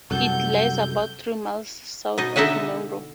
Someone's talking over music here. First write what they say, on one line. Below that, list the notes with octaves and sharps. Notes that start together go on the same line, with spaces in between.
It lies about three miles south of Monroe.
C2 F#2 A4 F#5 G6
B2 D#4 D#5
D3 D#4 D#5 E5 F#5 G#5